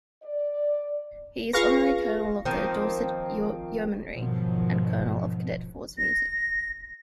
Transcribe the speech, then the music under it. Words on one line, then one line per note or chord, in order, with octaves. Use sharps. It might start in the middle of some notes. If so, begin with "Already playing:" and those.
He is Honorary Colonel of the Dorset Yeomanry, and Colonel of Cadet Force Music.
D5
F4 G#4 B4 F5 C#6 A#6
D#3 F3 A#3 C4
G#2 B2 D#3 F3 F#3
A#6